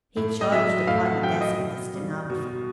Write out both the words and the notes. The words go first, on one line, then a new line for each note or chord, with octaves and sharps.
He charged upon the desk of the stenographer.
A2
D#5
F#3 E5
A2 F5
F#5
F#3 G5
D#5
B2
G3
B2